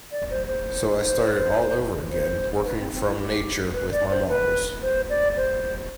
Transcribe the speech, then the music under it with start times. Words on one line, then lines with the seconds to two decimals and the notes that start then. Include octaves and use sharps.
So I started all over again, working from nature, with my models.
0.11 D5
0.30 C5
0.47 C5
1.02 C5
2.11 C5
2.65 B4
2.78 C4
2.92 C4
3.06 E4
3.19 G4
3.73 B4
3.92 D5
4.10 C5
4.28 B4
4.82 C5
5.10 D5
5.36 C5